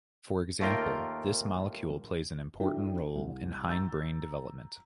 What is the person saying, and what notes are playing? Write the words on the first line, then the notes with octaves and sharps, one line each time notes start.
For example, this molecule plays an important role in hindbrain development.
D#2 A3 A#3 F4 A#4 G5
D4 E4 F#4 A4 E5 G5
C2
A#5 E6 G6 A6